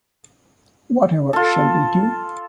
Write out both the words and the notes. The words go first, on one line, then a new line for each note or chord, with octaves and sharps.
Whatever shall we do?
F4 A4